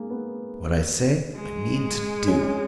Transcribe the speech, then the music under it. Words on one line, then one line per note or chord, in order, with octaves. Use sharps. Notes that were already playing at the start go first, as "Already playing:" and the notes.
What I say, I mean to do!'
Already playing: G#3 A#3
B3
G#3
C#4